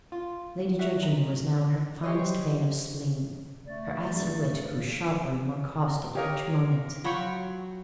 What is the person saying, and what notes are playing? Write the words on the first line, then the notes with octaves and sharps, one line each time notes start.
Lady Georgina was now in her finest vein of spleen: her acid wit grew sharper and more caustic each moment.
F4
F#4 D#5 E5
D#5 A#5
G4 C5 C#5 D#5
A3 D5
G2 C#3 E3
G4 A#4 C#5 D#5 F5
F#3 F4 G5 B5 C#6